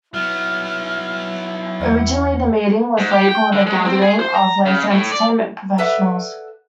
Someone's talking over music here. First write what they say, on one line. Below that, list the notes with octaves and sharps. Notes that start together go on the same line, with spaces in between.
Originally, the meeting was labeled a gathering of Laser Entertainment Professionals.
F#3 B3 E4 F6
E2 F#5
G#2
G4
G5
D3
G#3
C4
G#4
C5
A#5
C#3
A2
D5
A4 B4 D5 E5 F#5